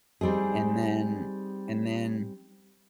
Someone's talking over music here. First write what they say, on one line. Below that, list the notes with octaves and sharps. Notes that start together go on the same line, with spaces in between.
and then and then
G3 C4 D#4 G#4